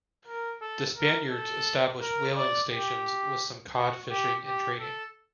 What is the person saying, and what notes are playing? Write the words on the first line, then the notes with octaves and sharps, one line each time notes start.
The Spaniards established whaling stations with some cod fishing and trading.
A#4
A4
A#4
A4
A#4
D5
G4
F#4
G4
G4
A4